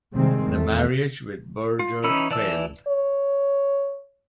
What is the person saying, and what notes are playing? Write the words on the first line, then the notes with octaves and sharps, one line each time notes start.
The marriage with Berger failed.
C3 D#3 G3 G#3 C4
E2 A3
F4
E3 C#4 D#4 B5 E6
E3 D5 A5 E6
C#5